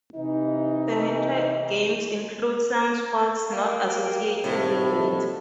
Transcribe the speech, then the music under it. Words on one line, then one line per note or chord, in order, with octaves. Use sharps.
The winter games include some sports not associated with winter.
C3 E3 D#4
A#3 G5
D#1 A2 C3
A4